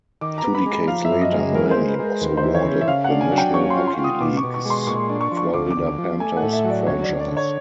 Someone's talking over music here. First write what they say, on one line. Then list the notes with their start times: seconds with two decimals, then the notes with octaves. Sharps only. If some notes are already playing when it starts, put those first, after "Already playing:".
Two decades later, Miami was awarded the National Hockey League's Florida Panthers franchise.
0.21 D#3 D6
0.38 A#5
0.44 B3
0.55 B5
0.66 G#3
0.71 B5
0.88 F3 F5
1.05 E5
1.10 F#2
1.21 D#5
1.32 G#3
1.38 D#5
1.55 E3 A#4
1.71 C5
1.77 G#3
1.88 B4
1.99 G#3
2.04 A#4
2.21 D#2 B4
2.37 C5
2.43 E3
2.55 C#5
2.65 C#3
2.81 E5
2.88 C#3 F5
3.04 F#5
3.10 D4
3.21 G#5
3.32 F#3
3.38 G5
3.54 C#4 C#6
3.70 C6
3.76 F4
3.87 C6
3.98 F4
4.04 D#6
4.20 B2 D6
4.37 C#6
4.43 B2
4.54 C#6
4.65 G#3
4.70 C6
4.87 A#2 C#6
5.09 D4
5.21 C#6
5.32 F3
5.37 C#6
5.53 D2 D6
5.70 D6
5.76 D2
5.87 D6
5.98 F3
6.20 A3 G#5
6.37 F#5
6.42 A2
6.53 E5
6.64 F#3
6.70 D5
6.87 D2 C#5
7.03 D5
7.09 D2
7.20 D5
7.31 D3
7.37 C#5